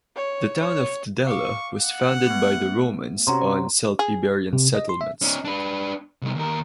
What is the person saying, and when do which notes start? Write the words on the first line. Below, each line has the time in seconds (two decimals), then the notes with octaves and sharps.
The town of Tudela was founded by the Romans on Celt-Iberian settlements.
0.16 C#5
0.60 C#5
1.27 F5 C#6 D6
1.79 F#5
2.26 A3 B3
3.27 C3 C#4 F#4 A#5 C6
3.99 G#4
4.53 C3
4.75 D#5
4.89 C6
5.01 E5
5.22 C#4 D#4
5.45 D4 B4
6.22 C2 D#4
6.35 D#2 A#4